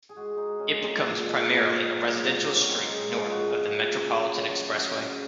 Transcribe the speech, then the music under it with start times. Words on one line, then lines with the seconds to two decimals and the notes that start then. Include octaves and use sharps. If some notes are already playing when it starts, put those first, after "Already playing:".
It becomes primarily a residential street north of the Metropolitan Expressway.
0.09 G#4
0.16 G#3 F#4
0.33 G#3 D#4
0.49 G#3
0.59 G#3 C#4
0.72 A#3
0.80 A#2 C4
0.95 G#3
1.11 A#2
1.26 A#2
1.33 G#3
1.43 A#2 A#3
1.58 A#2
1.74 F#3
1.90 F#3
1.98 A#3
2.05 F#3 G#3
2.21 F#3 A#3
2.37 F#3 A#3
2.47 C4
2.53 F#3
2.59 C#4
2.68 G#3 C4
2.84 G#3 D#4
3.00 G#3
3.10 F4
3.16 F3
3.25 G#4
3.31 C#3 F#4
3.47 F3
3.63 C#3
3.78 C#3
3.94 C#3
4.09 C#3
4.26 F#3
4.41 F#3
4.57 C#3
4.73 C#3
4.88 C#3
5.04 C#3